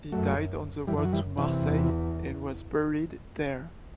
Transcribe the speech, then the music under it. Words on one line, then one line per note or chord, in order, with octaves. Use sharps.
He died on the road to Marseille, and was buried there.
F#2 F#3 A3
F#2 E3 G3
E3
F#3
E3 G3
C3 E3
E2